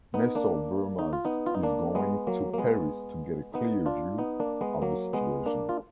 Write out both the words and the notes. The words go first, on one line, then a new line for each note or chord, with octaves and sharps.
Nestor Burma's is going to Paris to get a clear view of the situation.
B3 D#4
A#3 D4
D#4
F4
B3 D#4
F4
D#4
A#3 D4
G#3 B3
F#3 A#3
A#3
G#3 B3
B3 D#4
D4 F4
B3 D#4
A#3 D4
G#3 B3
F#3 A#3
G#3 B3
A#3 D4
F4